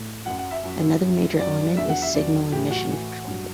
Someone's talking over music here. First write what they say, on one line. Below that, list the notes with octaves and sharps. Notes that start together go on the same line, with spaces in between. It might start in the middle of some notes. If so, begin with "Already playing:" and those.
Another major element is signal emission control.
Already playing: A2
F#2 F#3 F#5
F#5
E5
F#2 F#3
F#2 F#3
F#2 F#3 D5
E2 D3 F#3 E5
F#5
E5
E2 D3 F#3 D5
A2 E3 G4
F#4
A2 E3
G2 F#3